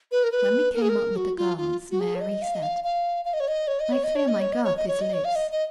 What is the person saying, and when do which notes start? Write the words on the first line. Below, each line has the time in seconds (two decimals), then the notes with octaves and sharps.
When we came up with the girls, Mary said: "I fear my girth is loose."
0.12 B4
0.24 A#4
0.32 B4
0.74 A#4
0.82 G#4
0.89 A#4
1.16 F#4
1.37 F4
1.58 F4
1.91 F#4
2.00 G#4
2.15 C#5
2.21 D#5
2.42 F5
2.55 D#5
2.63 F5
2.84 F5
3.25 F5
3.34 D#5
3.40 C#5
3.48 D#5
3.68 C#5
3.80 D#5
3.92 C#5
4.04 D#5
4.16 C#5
4.28 D#5
4.40 C#5
4.53 D#5
4.64 C#5
4.77 D#5
4.88 C#5
5.01 D#5
5.13 C#5
5.25 F5
5.35 D#5
5.51 D#5